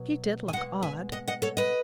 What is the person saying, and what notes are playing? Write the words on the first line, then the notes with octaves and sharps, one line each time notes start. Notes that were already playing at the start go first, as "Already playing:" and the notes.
She did look odd.
Already playing: B2 F#3
G#5
B2 G#3 D#5 F#5
E5 G#5
D#5 F#5
D#5 F#5
A4 C#5
B4 D#5